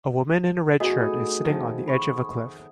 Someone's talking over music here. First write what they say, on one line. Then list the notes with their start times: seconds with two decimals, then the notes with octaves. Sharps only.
A woman in a red shirt is sitting on the edge of a cliff.
0.80 A3 B3 D#4 F#4 G#4 D#5
1.45 D#3 F3
1.88 B5 C#6